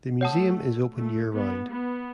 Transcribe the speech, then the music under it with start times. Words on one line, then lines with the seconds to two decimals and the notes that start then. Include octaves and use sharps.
The museum is open year-round.
0.21 A3 C#5 F#5 A5 D#6
0.96 A3
1.33 B3
1.70 B3